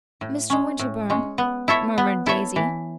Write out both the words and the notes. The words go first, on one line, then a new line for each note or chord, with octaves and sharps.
"Mr. Winterbourne!" murmured Daisy.
A2
G#3 C#4
A2
G#3 C#4
B3
E4 A4 C#5 E5
B3
E4 A4 C#5 E5
E3